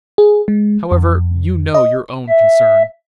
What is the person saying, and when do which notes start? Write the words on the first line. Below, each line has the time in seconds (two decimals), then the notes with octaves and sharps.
However, you know your own concern.
0.18 G#4
0.48 G#3
0.92 F2
1.75 D#5
2.28 E5